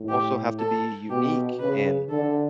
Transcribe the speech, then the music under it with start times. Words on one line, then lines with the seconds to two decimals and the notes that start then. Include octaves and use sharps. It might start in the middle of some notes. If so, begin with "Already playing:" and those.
also have to be unique, and
Already playing: A2
0.09 G4
0.59 A4
1.09 B2 G4
1.59 C#3 B4
2.09 D3 A4